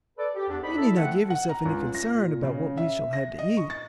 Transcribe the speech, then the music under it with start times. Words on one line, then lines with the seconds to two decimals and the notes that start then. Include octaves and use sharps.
You need not give yourself any concern about what we shall have to eat.
0.18 A4 B4 D5
0.35 G4
0.49 E2 D4
0.63 E2 D#4 C5 D5 B5
0.77 E4 A4 D5 E5
0.96 F3 A3 C4 F#5
1.30 F#5
1.49 A#5
1.66 C#2
1.95 A#6
2.15 A#2
2.43 C#3
2.77 E5
3.13 A#6
3.39 D#5
3.57 C#6
3.70 A6